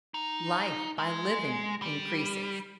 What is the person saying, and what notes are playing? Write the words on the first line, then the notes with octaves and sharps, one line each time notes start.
Life, by living, increases.
D#4
G#3
G3